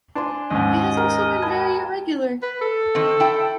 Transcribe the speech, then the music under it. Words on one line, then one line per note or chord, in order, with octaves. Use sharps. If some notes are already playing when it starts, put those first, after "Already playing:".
It has also been very irregular.
D4 C5 G#5 C6
D#2 G#2 G#3 C#4 D#5
A#4
G5 A5 B5 G#6
B4
A4
D#3 C4
E4 G5